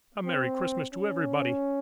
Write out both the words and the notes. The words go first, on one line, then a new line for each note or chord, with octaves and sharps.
A merry Christmas to everybody!
C4
C#4